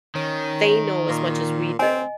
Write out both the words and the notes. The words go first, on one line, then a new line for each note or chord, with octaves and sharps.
they know as much as we do
D#3 C#4
A#2
C4 D#5 G#5